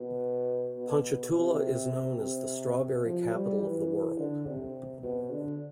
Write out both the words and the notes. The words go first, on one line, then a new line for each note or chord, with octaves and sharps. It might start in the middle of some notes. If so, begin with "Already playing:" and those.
Ponchatoula is known as the "Strawberry Capital of the World".
Already playing: B2
B2
C3
C3
F3
G3
E3
D3
C3
B2
D3